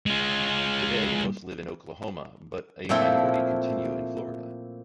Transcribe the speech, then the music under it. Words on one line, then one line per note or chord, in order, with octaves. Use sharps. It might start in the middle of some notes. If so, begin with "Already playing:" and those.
Today most live in Oklahoma, but a minority continue in Florida.
G#3 F4
A#2 F3 A3 C4 E4 F4